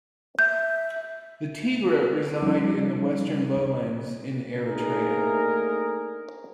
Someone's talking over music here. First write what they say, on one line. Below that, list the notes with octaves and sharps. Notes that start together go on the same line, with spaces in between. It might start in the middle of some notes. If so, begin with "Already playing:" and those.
The Tigre reside in the western lowlands in Eritrea.
E5 G6
F3 G3 C#4 D#4
A3 A#3 D4 D#4 G#4 A#4